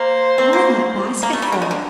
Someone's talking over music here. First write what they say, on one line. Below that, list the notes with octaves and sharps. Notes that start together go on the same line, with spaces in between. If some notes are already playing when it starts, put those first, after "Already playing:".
"All that basketful!"
Already playing: A#3 C5
C4
A#3
A#3
A3
G3
D3
D#3
D3